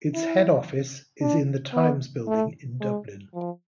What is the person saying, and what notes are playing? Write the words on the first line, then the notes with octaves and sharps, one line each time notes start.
Its head office is in The Times Building in Dublin.
E4
D4
B3
A3
G#3
F3